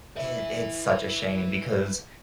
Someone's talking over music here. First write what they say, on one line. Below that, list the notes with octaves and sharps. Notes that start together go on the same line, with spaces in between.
It it’s such a shame because,
B4 E5